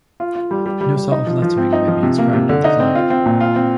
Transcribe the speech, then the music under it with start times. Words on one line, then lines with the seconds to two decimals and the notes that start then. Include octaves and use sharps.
No sort of lettering may be inscribed on the flag.
0.20 F4
0.35 F4
0.51 G3
0.66 G3
0.81 G3
0.96 G3
1.12 D#4
1.27 F3
1.42 F3
1.58 C4
1.73 D#4
1.88 F3
2.03 C3
2.18 A#3
2.33 C3
2.49 D3
2.64 D#4
2.80 C4
2.95 F4
3.10 C4
3.26 A#2
3.41 F4
3.56 C4